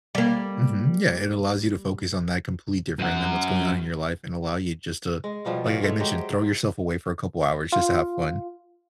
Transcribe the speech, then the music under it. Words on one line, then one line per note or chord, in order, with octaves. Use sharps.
Mhm, yeah, it allows you to focus on that complete different than what's going on in your life and allow you just to, like, I mentioned, throw yourself away for a couple hours just to have fun.
G3 A#3
F#2 F#5
G#3
B2 F3 G3 F5
C#5 D5 F5
G#3 A3 C#5 E5
F#3 G#3 G4
C5
F4